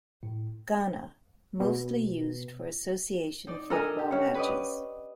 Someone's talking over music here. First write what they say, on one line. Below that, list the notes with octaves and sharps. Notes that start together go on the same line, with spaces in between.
Ghana, mostly used for association football matches.
A2
B2
D#4 D5
D4 A4 A#4 D#5 G#5
G4
C#4 F#5
B4 D5 D#5